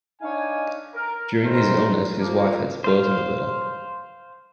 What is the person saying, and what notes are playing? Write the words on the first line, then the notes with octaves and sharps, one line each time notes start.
During his illness his wife had spoilt him a little.
D4 D#4 C#5 F5 G#5
A#4
C3 D#3 A3 E4 A#4 C5
F3 A#3
C5 F5